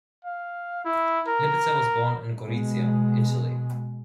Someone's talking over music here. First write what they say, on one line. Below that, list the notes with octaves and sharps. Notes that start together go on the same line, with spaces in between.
Lipizer was born in Gorizia, Italy.
F5
E4
A#4
B2 G#3